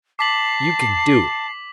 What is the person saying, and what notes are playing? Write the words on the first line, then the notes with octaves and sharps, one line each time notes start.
You can do it.
A5 D6 B6 C7 F#7